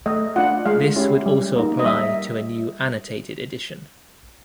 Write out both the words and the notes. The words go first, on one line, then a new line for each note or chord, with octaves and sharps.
This would also apply to a new annotated edition.
A3 D#5
D4 F4 F#5
G#3 F5
C#4 E4 G4
G3
A#3 D#4
D#5
G3 E5